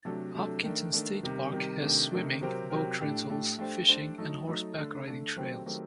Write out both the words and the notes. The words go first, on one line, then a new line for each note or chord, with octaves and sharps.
Hopkinton State Park has swimming, boat rentals, fishing and horseback riding trails.
C3 F#3 A3 D4 A4
C3 F#3 A3 D4 A4
D#3 A3 D4
D#3 A3 D4
C3 D#3 G3
C3 D#3 G3
C3 D#3 A3 D4
C3 D#3 A3 D4
C3 F#3 C4 G4 A#4
C3 F#3 C4 G4 A#4
A2 A3 D4 G4
A2 A3 D4 G4
A3 D4 G4 C5
A3 D4 G4 C5
F#3 A3 D#4 A4
F#3 A3 D#4 A4
D3 A3 D4 A4
D3 A3 D4 A4
D#3 F#3 A3 C4 G4
D#3 F#3 A3 C4 G4